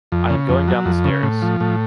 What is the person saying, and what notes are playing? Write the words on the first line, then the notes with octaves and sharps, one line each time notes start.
I am going down the stairs.
F2
C#3
F2
F#3
F2
C#3
A2
F3
A2